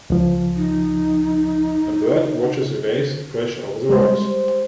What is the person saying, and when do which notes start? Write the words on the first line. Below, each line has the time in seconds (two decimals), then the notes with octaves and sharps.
A bird watches the waves crash over the rocks.
0.10 C#2 F3
0.56 D#4
3.89 G3 G#3 C5